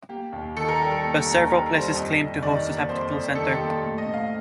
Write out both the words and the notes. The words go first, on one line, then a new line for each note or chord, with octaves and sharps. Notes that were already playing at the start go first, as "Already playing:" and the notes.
Thus, several places claim to host this hypothetical centre.
A#3 G4
D#2
D#3 A4
A#4
G3 G4
A4
A#3
D#2
D#3 A#4
G3 C5
F2 D#5
F2
D#3 D5
A#3
F2 C5
F2
D#3 A4
G4
A#3
A4
A2
D#5
A2
F5